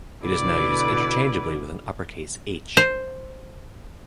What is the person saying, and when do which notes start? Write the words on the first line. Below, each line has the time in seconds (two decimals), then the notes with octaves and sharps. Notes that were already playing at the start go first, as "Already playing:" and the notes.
It is now used interchangeably with an uppercase "h".
0.23 B2 D3 E4 B4 D5
2.77 C5